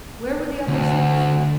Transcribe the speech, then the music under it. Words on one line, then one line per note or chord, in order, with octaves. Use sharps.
Where were the other six?
D2